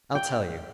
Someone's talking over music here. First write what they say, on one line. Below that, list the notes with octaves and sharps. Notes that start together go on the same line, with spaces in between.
I'll tell you.
G5